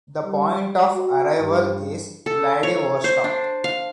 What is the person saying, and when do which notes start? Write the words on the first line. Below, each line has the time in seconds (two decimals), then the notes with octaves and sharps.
The point of arrival is Vladivostok.
0.24 G3
0.93 F#4
1.40 G2
2.26 A4
2.63 C#5
3.04 C5
3.24 D4
3.64 F5